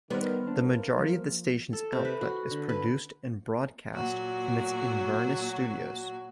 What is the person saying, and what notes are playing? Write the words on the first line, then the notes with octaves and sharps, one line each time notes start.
The majority of the station's output is produced and broadcast from its Inverness studios.
D#3 G3 B3 A#4 C5 D5 F6
A#3 D4
F3
A4
C3
B4
F#4
D3
B4
A#2 F#3 F#4